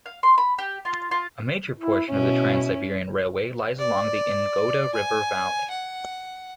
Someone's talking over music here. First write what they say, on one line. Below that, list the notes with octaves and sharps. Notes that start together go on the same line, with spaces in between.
A major portion of the Trans-Siberian Railway lies along the Ingoda River valley.
F5
C6
B5
G4
F4
F4
E4
B2 C#4 E4
D5
G#5
F#5